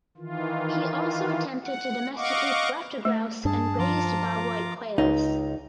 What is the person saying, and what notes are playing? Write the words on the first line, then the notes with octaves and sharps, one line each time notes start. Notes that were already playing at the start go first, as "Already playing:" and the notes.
He also attempted to domesticate ruffed grouse and raised bobwhite quails.
D#3 E3 F4
F#5
D#5 F5 F#5 C#6 D6
A3
G2 D4 G#4 A5
F3 F4 A#5 D6
C#2 D#4